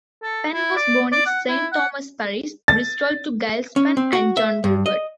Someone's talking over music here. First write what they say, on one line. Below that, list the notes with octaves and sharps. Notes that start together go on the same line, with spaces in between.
Penn was born in Saint Thomas Parish, Bristol to Giles Penn and Joan Gilbert.
A4
E4
D5
D5
F#5
E4
F#5
A6
C#4
C4
F#4
E5
G2
D#5